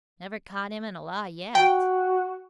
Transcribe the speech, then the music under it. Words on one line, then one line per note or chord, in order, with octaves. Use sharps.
Never caught him in a lie yet.
F#4 G5